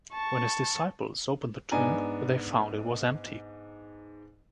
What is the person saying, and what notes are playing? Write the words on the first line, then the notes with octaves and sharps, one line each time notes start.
When his disciples opened the tomb, they found it was empty.
A5 C#6
G#2 B3 D4 G#5 A#5